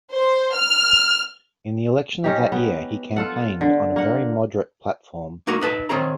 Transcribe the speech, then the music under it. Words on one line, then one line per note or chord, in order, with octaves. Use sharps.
In the election of that year he campaigned on a very moderate platform.
C5
F6
C#4 D#4 G4
B3
F4 A4 F#5
D3
A#3 F#5
A#3 D#4 F#4 A#4
D#4 B4 A5
D#3 C4 C#4 G#4 A#5